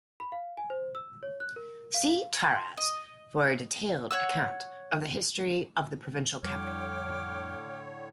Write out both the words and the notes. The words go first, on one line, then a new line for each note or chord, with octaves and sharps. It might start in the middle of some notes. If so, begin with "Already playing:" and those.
See Taraz for a detailed account of the history of the provincial capital.
B5
F5
G#5
C5
E6
C#5
F#6
A#4
F5
F5
G#6
C6
D#5
C#5 F#5 E6
F2 A2 D3 G3 C#5 G5 D6 F6